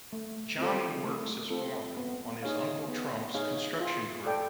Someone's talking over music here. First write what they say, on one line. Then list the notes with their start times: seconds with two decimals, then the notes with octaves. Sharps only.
Johnnie works as foreman on his uncle Trump's construction crew.
0.13 A3
0.58 C4 F4 A4
1.04 A3
1.50 C4 F4 A4
1.97 B3
2.43 D#4 G#4 C#5 F5
2.88 B3
3.34 D#4 G#4 C#5 F5
3.80 F4
4.26 A4 D5 G5